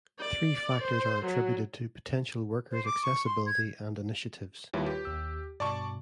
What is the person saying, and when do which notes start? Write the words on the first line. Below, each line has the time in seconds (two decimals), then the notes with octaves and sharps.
Three factors are attributed to potential workers accessibility and initiatives.
0.20 D5
0.82 C5
1.25 F#3
2.71 C5
2.85 D6
3.03 C#6
3.25 C6
3.47 G#6
4.73 D#2 G3 E4 F4 B4 C#5
4.86 G4
5.05 D#2 E6
5.60 G2 B2 D5 A5 C#6